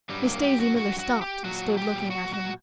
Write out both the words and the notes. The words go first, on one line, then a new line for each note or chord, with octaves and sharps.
Miss Daisy Miller stopped and stood looking at him.
G2 F#3 G3
A#3
G4
F#4
F#4
F#4
G4
A#2 F#3 F#4
G4
F#4
F#4